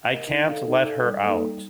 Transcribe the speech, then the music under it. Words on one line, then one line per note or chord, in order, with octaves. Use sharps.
I can't let her out.
A#4 D#5
D#4
A4 D5 F5
D#4
A4 D5 F5
G3
A#3 D#4 A4 D5
G3